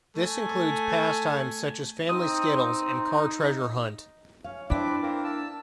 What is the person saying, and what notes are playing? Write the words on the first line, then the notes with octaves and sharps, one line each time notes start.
This includes pastimes such as family skittles and car treasure hunt.
A3 G#5
C4 D#4 D#6
C#4 F5
C4 D4 E4 B4 D5 D6
A#3 C4 A#4
A5 E6